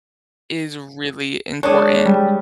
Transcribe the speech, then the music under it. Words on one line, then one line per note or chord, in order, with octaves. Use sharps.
is really important.
G#3 D4 C#5 D#6
G3